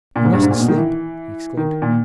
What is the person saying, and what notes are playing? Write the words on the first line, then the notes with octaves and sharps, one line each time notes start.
"You mustn't sleep!" he exclaimed.
A#2
G#2
G2
G#2
A#2
B2
D#3
E3
D#3
A#2